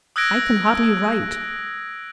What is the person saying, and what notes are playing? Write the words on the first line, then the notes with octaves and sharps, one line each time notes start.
I can hardly write.
D#6 E6 F#6 G#6 A#6 D7